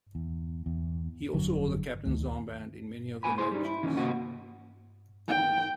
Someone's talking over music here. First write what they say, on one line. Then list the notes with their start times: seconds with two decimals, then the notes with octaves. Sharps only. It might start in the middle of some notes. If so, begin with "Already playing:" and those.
He also wore the captain's armband in many of the matches.
0.15 E2
0.66 E2
1.33 G1 F2 D3 F#3
2.06 D2 D#3 A3
3.23 A#2 C#3 B4 G#5 B5
3.38 E4 G#4 C5 C6
3.51 G3 D#4
3.65 E4
3.83 D#2 E3 C#4 D#4
3.97 C3 A#3 C4 F#4 D#5 F#5
5.28 G5